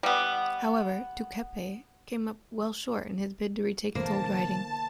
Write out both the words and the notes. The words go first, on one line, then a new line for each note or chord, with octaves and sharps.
However, Duceppe came up well short in his bid to retake his old riding.
G3 B3
B2 D3 E3 A#3 C5 A5